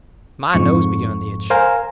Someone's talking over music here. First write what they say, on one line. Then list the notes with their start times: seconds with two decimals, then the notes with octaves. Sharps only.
My nose begun to itch.
0.53 F2 G#2 C#6
1.50 A#4 C5 F5 G#5 A#5